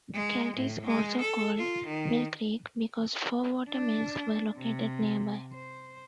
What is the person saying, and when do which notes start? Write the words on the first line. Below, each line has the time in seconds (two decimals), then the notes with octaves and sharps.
Celt is also called "Mill Creek" because four water mills were located nearby.
0.14 G#3
0.57 A2
0.86 G#3
1.21 A4
1.57 F4
1.87 D#3
3.70 D4
4.58 C3
5.53 C5